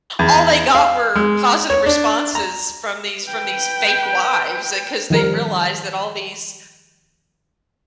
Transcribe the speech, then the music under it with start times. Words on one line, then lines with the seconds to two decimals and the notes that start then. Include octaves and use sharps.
all they got were positive responses from these from these fake wives, uh, 'cause they realized that all these
0.19 E2
0.75 F5
1.15 G#3
1.70 C#5
1.86 D4
2.35 A#5
3.26 B4 G5
5.10 D#3 F3 G3 A#4